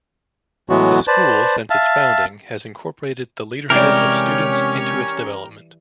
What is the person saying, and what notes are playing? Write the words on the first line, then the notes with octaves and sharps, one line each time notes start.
The school since its founding, has incorporated the leadership of students into its development.
A2 E3 F#3 G#3 B3 F#4
B4 C5 D5 A5
E5 F5 A5
C3 E3 G3 G#3 C#4 G4 A#4 C#5